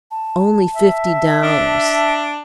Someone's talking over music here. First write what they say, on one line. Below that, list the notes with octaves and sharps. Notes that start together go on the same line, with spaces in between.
"Only fifty dollars."
A5
E5
D4